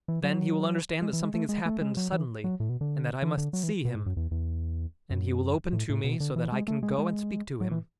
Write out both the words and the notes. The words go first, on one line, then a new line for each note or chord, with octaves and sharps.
Then he will understand that something has happened suddenly and that I must see him, and he will open to me so that I can go and speak to him.
E3
F#3
G#3
E3
G#3
A3
G#3
A3
G#3
F#3
E3
F#3
A2
B2
D3
E3
D3
F#3
E3
B2
G#2
F#2
E2
E2
F#2
A2
A2
B2
D3
E3
G#3
A3
G#3
G#3
F#3
E3